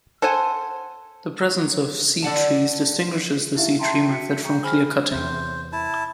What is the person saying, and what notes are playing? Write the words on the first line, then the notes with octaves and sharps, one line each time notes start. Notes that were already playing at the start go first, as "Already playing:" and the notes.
The presence of seed trees distinguishes the seed-tree method from clearcutting.
A4 C5 F#5 G#5
D3 D5 F#5 A5
D#4 E4 G4 E5 F5
E5 G5 A5 A#5 C6
F#4 B6 C#7
G5 A#5 C#6 G6
G#4 C5 G#5 B5 F6
E2 C3 C5
E4 A5